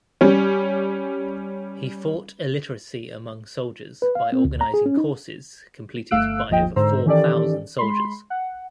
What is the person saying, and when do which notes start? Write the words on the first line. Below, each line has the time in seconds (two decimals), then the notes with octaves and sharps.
He fought illiteracy among soldiers by organizing courses completed by over four thousand soldiers.
0.21 G3 C#4
4.02 B4
4.15 F5
4.32 C4
4.45 D2
4.61 A#5
4.74 G#4
4.86 C#4
4.97 D#4
6.11 G1 A3 F5 E6 F#6 D7
6.49 G1 D#2 F3 D#5 G5
6.76 G#2 D3 C5 A#5 E6
7.06 D#3 E3 C#4 G4 A4 D5
7.78 G#3 B5 C6
8.30 F#5